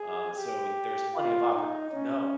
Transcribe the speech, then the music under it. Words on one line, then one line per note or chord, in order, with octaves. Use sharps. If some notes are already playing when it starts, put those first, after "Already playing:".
Um, so there's plenty of opport No.
Already playing: G#4
G4
F4
D#4
C#4